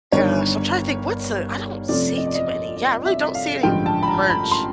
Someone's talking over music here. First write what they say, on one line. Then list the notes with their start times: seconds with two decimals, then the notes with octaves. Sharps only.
Gosh, I'm trying to think, what's the I don't see too many Yeah, I really don't see any merch
0.12 G1 G2 D#3 G3 C#5
1.89 F2 C3 F3 A3 C#4 D5
2.18 D#5
2.27 D5
2.35 D#5
2.47 D#5
2.77 D#5
3.06 E5
3.35 F5
3.63 A1 G2 D3 F3 G#3 G5
3.86 A5
4.03 B5
4.08 A#5
4.30 B5
4.51 C6